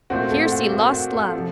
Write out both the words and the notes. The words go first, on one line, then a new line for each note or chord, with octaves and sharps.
Here see lost love.
A#2 A3 C4 F#4
A4
F#4
F#4
F#4
A4
C3 F3